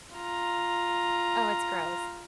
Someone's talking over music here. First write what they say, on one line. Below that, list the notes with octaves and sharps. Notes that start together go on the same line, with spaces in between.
oh, it's gross.
F4 A#5